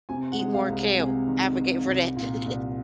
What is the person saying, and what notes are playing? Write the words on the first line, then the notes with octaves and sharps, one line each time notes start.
Eat more kale, advocate for that.
C3 G#5
F#5
G#3
F5
C2
C3 G#5
D#3
D#3
C2
A#2
C2